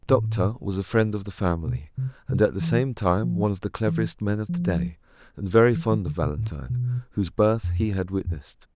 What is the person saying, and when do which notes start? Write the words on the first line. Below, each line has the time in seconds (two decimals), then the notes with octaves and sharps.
The doctor was a friend of the family, and at the same time one of the cleverest men of the day, and very fond of Valentine, whose birth he had witnessed.
0.09 A2
1.66 B2
1.98 C3
2.29 C3
2.60 E3
3.23 F3
3.86 E3
4.49 F3
5.75 E3
5.91 E3
6.06 D3
6.22 B2
6.38 A2
6.70 B2
7.64 F2
8.26 F2